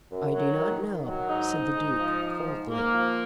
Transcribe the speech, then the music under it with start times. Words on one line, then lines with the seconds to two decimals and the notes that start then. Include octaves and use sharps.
"I do not know," said the Duke coldly.
0.11 F#2
0.34 F#3
0.58 D#3
0.82 D#3
1.04 F#3
1.28 G#2 D#4
1.52 G#2
1.76 G#2
1.99 F3
2.22 F3
2.46 G#2
2.70 G#2 A#3
2.93 F3